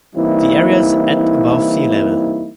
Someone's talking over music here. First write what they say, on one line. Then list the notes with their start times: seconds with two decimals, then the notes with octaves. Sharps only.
The area is at above sea-level.
0.15 E3 G3 A#3 C4 D#4 E4